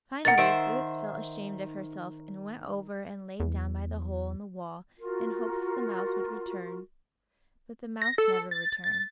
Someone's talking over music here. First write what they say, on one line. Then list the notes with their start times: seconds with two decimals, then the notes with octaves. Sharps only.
Finally Boots felt ashamed of herself and went over and lay down by the hole in the wall in hopes the mouse would return, but the mouse never returned.
0.25 D#3 G#3 A#3 F#5 A6
0.38 D#3 C5 E5 D7
3.40 E2
4.99 F4 F#4 A#4
8.02 A#6
8.18 A4
8.51 A6
8.84 A6